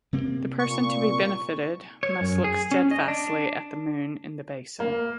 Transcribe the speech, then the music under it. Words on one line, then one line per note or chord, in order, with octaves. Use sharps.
The person to be benefited must look steadfastly at the moon in the basin.
C3 A#3 C4
A#2 C#6
C#5
F#2
G#4
C#4
D#5
D4
A#3